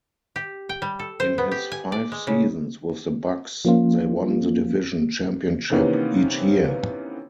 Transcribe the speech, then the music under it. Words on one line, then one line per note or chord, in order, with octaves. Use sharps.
In his five seasons with the Bucks, they won the division championship each year.
G4
G5
G3
A4
C5
B3
G4
G#5
D5
G#3
C#3
F3 A#3 C#4 F4
C3 D#3 E3 A#3 B3 C#4